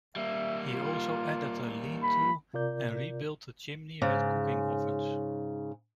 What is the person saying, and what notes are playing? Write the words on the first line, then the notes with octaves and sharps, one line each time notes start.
He also added a lean-to and rebuilt the chimney with cooking ovens.
G3 A#3 E5
F4
B5
C3 F4 A#4 D5 G6
G#2 C#3